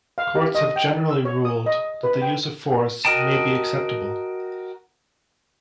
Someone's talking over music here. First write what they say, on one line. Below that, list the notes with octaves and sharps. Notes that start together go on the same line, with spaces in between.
Courts have generally ruled that the use of force may be acceptable.
F5
G4
D#5
G5
E6
C#5
D#6
D#5
B4
G5
F#4 A#4 D#5 G5 A5